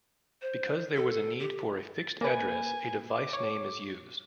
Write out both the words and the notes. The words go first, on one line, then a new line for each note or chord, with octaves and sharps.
Because there was a need for a fixed address a device name is used.
C5
A4
G4
A6
A#3 B4 G#5
D6
C#5